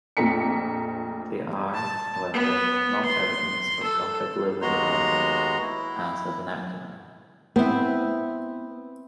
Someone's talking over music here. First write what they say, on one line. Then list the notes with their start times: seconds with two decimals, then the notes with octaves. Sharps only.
They are, however, not evidence of Gothic living on as a vernacular.
0.17 A#1 F2 A3 A#5 B6 C#7
1.74 A5
2.33 B3
3.04 C6
3.83 A4
4.62 D#2 G#3 B3 F#4 A#5 C6
5.61 E4
7.56 B3 C4 E4